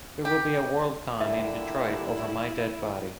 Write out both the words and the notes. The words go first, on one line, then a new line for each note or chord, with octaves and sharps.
There will be a Worldcon in Detroit over my dead body.
G4
A#2 D3 G3 E4 E5